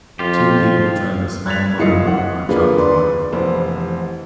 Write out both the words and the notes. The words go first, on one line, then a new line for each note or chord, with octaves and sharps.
Two people drive a small motor boat on choppy water.
F2 F4 G4
F#6 G#6 A6 B6 F7
F#1 E4 F4 D#5 C7 C#7
F#5
D3 A#3 F4 G#4 B4 D5
B4 D5 C6
F1 E3 C5